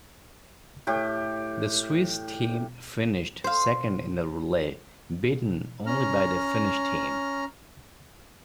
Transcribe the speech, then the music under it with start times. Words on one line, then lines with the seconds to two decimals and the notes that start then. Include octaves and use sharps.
The Swiss team finished second in the relay, beaten only by the Finnish team.
0.87 A2 G4
3.44 C5 F5
5.86 C#4 A#5 F6